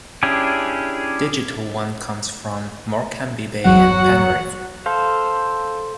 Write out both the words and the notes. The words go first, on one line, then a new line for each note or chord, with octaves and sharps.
Digital One comes from Morecambe Bay and Penrith.
C#4 D4 E4 G4 G#4
G1 E2 F#3 F#4 F#5
A4 C5 F5